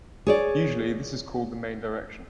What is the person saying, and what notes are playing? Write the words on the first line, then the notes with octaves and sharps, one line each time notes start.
Usually, this is called the main direction.
G#4 C#5 D5